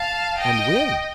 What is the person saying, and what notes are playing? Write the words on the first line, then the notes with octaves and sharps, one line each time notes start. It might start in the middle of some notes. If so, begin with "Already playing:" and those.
"And will?"
Already playing: F5 A5
D#5 G5